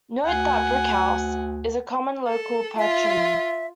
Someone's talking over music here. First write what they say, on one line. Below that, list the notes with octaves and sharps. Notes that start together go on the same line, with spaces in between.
Note that "Brickhouse" is a common local patronym.
D2 F#5 G#5
A4
F4 E5